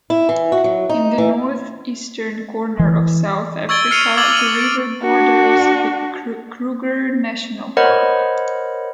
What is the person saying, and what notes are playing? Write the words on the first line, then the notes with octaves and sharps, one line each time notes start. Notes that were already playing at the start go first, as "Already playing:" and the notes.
In the north-eastern corner of South Africa the river borders the Kruger National Park.
E4
E3
F#4
F#3
D#4
E3
E3
C#6 E6 G#6 A6 D7 G7
F6 C7 C#7 D#7 F7 G7
D6 E6 G#6 A6 F#7 G7
D6 D#7
A6 D7
D4 F#4
A#4 C5 C#5 D#5 F#5 B5